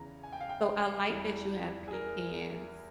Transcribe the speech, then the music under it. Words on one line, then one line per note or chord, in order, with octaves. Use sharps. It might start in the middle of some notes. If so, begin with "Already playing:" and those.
So, I like that you have pecans,
Already playing: E2 C#3 E3 A#5
G#5
G5
F5
G5
E2 E3 G3
G#4
A#4